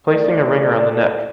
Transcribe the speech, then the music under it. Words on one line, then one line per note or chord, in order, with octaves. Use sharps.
Placing a ring around the neck.
A3 E4 A4 D5